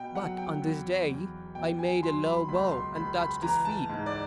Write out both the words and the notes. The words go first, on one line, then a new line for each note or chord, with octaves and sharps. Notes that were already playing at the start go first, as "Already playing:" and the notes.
But on this day I made a low bow, and touched his feet.
Already playing: B2 G5
F#3 F#5
G5
E2
E2
B2 G5
G#5
F#3 C6
B5
C#2 B5
C6
C#2 B5
B5
E3 A#5
A5
G#2
D5